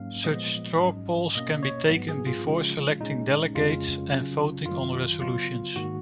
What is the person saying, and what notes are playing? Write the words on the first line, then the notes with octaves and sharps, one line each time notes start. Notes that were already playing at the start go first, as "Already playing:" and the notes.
Such straw polls can be taken before selecting delegates and voting on resolutions.
Already playing: G#2 F#3 A#3 C#4 F5
A#2 F3 G#3 B3 D#5
G#2 F#3 C#4
B2 A#3 C#4 D#5
C#5
G#2 F#3 B3
G#4
F4
C#3 F3 G#3 C#4
A#2 G#3 C#4 D#4
F2 C#3 G#3 C#4 F4
C#3 F#3 C#4
F#2 D#3 F#3 F4
C#3 F#3 B3 F4
G#2 D#3 A#3 F#4